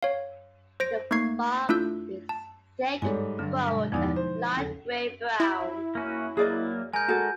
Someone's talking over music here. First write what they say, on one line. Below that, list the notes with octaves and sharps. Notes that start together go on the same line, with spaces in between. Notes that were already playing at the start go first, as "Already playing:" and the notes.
The bark is thick, furrowed, and light gray-brown.
C#5 F5
C5 A#6 D7
A3 A#3 D#4 C#6 G#6 C7
A3 D4 E4 F4 E6 G6
A5
G#2 G3 A4 C#5 G#5
G2 D3 F#3
B2 G#3
E2 F3 D#4 E4 D5
C5
D#2 C#3 A4
E4
A#3 C#4 F#4
F#3 A#3 G#4 D5 D#5
G#3 A#4 G#5 G6
F#4 A4